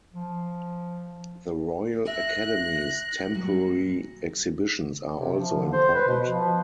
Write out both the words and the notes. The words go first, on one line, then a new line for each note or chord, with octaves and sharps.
The Royal Academy's temporary exhibitions are also important.
F3
E5 F#6 A#6
A#2 F#3 G3
C3
F3
D3
C5
B4
B2
F3